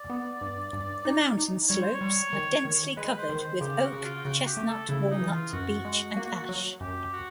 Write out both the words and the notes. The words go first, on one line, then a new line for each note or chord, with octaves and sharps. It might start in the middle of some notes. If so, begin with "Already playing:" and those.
The mountain slopes are densely covered with oak, chestnut, walnut, beech, and ash.
Already playing: D5
B3
G2
G2
D#4
D#4
G3 C#5
C5
C#5
G3
D#3
D#3
G#3 B4
C5
D#3
C5
C#3 G4
F#4
C#3
F4
C#3 F#4
G4
A3
A4
C#3 E4
D#4
E3
F4
F#2 F#4
G#3
A#3
F#3
F#2 G4
F#4